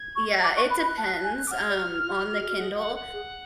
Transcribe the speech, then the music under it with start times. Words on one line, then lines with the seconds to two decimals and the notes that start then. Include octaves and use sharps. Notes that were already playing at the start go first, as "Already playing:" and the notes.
Yeah, it depends, um, on the Kindle,
Already playing: G#6
0.16 C#6
0.43 D6 F#6
0.57 C#6
0.70 B5
0.83 B5
0.97 A5
1.23 G#5
1.47 D6
1.50 F#5 F6
1.68 D5
2.05 F4
2.31 F#4
2.41 G#4
2.49 F#4
2.58 G#4 F#5
2.77 F#5
2.86 A4
2.95 F#5
3.13 G#4